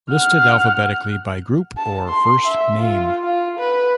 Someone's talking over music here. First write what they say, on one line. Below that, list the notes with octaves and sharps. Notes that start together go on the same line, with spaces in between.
Listed alphabetically by group or first name.
F#5 F6
A5
C6
E5
F4
F4
B4